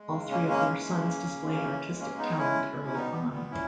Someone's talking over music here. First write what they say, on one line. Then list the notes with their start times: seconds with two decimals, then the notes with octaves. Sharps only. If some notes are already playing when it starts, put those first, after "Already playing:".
All three of their sons displayed artistic talent early on.
Already playing: G#3
0.11 C#3
0.30 A#3 C#4
0.40 G#3
0.49 A#3 C#4
0.67 E3
0.95 C#3
1.24 C#3
1.53 E3
1.81 G#3
1.99 A#3 C#4
2.09 G#3
2.19 B3 D#4
2.38 G#3 C#4 E4
2.66 B2
2.86 E4
2.94 G3 B3 D#4
3.13 B3
3.22 A#2
3.32 B3
3.51 A#2 C#4 E4